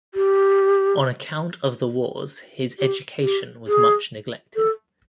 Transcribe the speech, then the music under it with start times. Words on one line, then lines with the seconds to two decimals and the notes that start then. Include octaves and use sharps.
On account of the wars his education was much neglected.
0.14 G4
2.79 G4
3.23 G4
3.67 G#4
4.56 A4